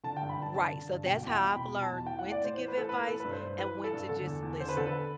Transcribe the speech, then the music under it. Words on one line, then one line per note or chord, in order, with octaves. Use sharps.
Right. So, that's how I've learned when to give advice and when to just listen.
D3 A5
G5
G2
B5
G2 A5
D3 A5
D3
G2
B2 G5
E2
G5
E2
B2 B5
B2
A5
E2
E3 G5
F#5
A2
D5
A2 C5
E3 C5
B4
E3 A4
A2 B4
E3 A4
G2 B4
C5
G2
E3 B4
E3
A4
G2
D3 A4
E2
E2
D3 C5
B4
D3 A4
B4